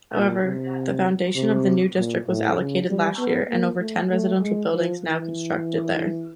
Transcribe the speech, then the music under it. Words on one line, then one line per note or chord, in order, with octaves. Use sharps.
However, the foundation of the new district was allocated last year, and over ten residential buildings now constructed there.
A#2
C3
C3
A#2
A2
C#3
G3
B3
A#3
A3
A3
G#3
F3
E3